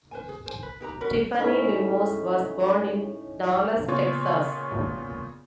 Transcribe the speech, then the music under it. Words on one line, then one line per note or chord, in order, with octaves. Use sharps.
Tiffany Limos was born in Dallas, Texas.
B4 C5 G#5
G#4
C5 G#5
B4
D#4 G4 B4 A#5
F#4 A#4 B4 C#5
A2 C#4 D#4 B5
A#2 C#3 B3 F4 C#5 C#6